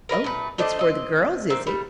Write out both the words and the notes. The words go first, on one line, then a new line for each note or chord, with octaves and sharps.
"O, it's for the girls, is it?"
A#4 B4 D5 D#5
A#2 A3 B4
A3 D4 C5 D#5
C4 D#5
A3 A#3 C4
G3 A3